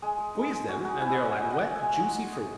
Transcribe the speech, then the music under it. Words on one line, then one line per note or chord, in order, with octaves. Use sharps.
Squeeze them, and they are like wet, juicy fruit.
G#3 G#4
G#3
D#4
G#3 G#4
G#3 F#4 A#4
G#3 F#4 A#4
E4 E5 G#5
G#3 D#5 F#5
E5 G#5
C#4 D#5 F#5
G#3 D#5 F#5
G#3
E5 G#5
G#3
D#4
D#4
D#4